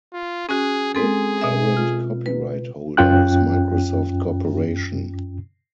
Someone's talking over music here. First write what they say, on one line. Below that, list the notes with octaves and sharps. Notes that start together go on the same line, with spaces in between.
The current copyright holder is Microsoft Corporation.
F4
C#4 F#4 G#4
G#3 C4 G#4 A4
B2 D#5 E5
F4
B4
F#2 C#4 F4 G5 F#6